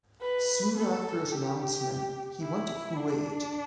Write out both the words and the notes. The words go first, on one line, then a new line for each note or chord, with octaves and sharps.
Soon after his announcement he went to Kuwait.
B4
A4
G4
E4
D4